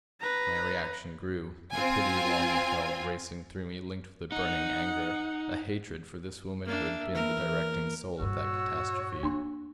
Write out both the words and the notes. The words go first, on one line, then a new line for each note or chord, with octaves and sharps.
My reaction grew; the pity long withheld racing through me linked with a burning anger, a hatred for this woman who had been the directing soul of that catastrophe.
B4 A#5
C4 F4 G#5
D#4 F#5
A#3 D4 E5
E3 A#3 A#4
G2 A#2 F#4 C#5 E6
A#3 D4 C6